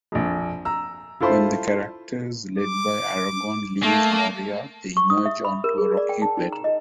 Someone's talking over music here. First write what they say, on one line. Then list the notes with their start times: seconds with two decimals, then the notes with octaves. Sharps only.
When the characters led by Aragorn leave Moria they emerge onto a rocky plateau.
0.12 A#1 F2
0.65 A#5 E6
1.21 E4 F4 A4 C5 B5 C6
2.58 D6
3.83 A3 A#3
4.97 C#6
5.10 D#6
5.26 E5
5.45 B5
5.64 A#4
5.78 G#4
5.97 D5
6.09 G5
6.22 A5
6.37 D#4
6.53 A#5
6.64 D#5